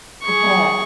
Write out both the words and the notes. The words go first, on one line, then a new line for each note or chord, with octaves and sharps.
I bet.
G#4 C#6